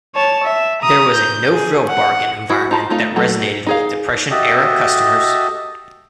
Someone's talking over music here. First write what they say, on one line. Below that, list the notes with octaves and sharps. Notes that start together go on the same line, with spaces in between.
There was a no frill bargain environment that resonated with depression era customers.
C#5 A5
E5
A#5 D#6
G6
G#4
F#5
E4 F#4
D#4 F4 A5 B5
A3 D#4 F4
F#3 A3 A4
D#4 G#4 F5
F#4 G4 A4 D#5 E5